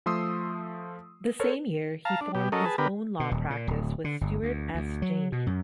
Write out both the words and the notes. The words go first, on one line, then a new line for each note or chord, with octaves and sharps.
The same year, he formed his own law practice with Stuart S. Janney.
F3 A3 C6 D#6 E6 C7
A4 A#4 C5 C#5
F5 A5 A#5
D4
B2 G4
F#3 C#4 A4 A#4 D#5
G#4 B4 A5
D3 B3 G4 A#4 B4
B2
D#1
A#2
D1
D3
G1
D2
D2
F#3
B2
F#2